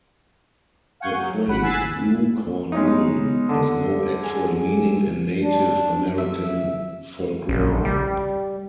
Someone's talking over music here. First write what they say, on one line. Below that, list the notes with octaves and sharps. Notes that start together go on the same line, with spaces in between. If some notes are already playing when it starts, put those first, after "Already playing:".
The phrase "blue corn moon" has no actual meaning in Native American folklore.
F5 F#5 G#5 C#6 G6
F#3
G#1 F#5 B5
G#5 E6 F#6 A6 B6 C7
G#3 B3 C#4 D#4
D3
G#4 G#5
D4
E5
A#1
G3